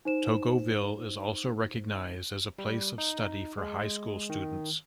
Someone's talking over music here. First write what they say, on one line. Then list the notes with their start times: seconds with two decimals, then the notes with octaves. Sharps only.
Togoville is also recognized as a place of study for High School students.
0.05 D#4 C5 E7
2.58 G3
2.98 D#4
3.58 G#3
4.30 D#3